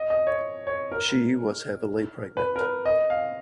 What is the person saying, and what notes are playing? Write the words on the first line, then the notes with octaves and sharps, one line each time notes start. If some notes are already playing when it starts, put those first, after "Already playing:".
She was heavily pregnant.
Already playing: D#5
D#5
C#5
C#5
A#4
B4
A#4
B4
D#5
F5